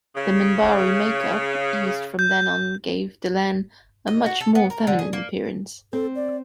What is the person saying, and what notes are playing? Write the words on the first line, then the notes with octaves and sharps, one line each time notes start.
The Minbari makeup used from then on gave Delenn a much more feminine appearance.
C#3
G6
D#5
F#4
A4
B3
A#4
D3
G#4
A#3
C4 A4
D5